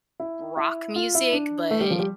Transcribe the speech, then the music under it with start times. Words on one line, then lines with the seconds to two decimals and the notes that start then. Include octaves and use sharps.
rock music, but,
0.20 E4
0.57 E4
0.96 F4
1.15 E4
1.32 D4
1.71 A3
1.80 G3
1.90 F3
1.99 G3